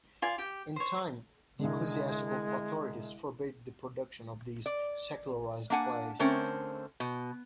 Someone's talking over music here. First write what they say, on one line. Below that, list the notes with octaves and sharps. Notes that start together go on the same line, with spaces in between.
In time the ecclesiastical authorities forbade the production of these "secularized" plays.
F4 D5 G#5
G4 G5
C5 C#5
C2 D3 G#3
D5
A#3 D4 F#5 G#5
D3 A3 C4 C#4 A#4
B2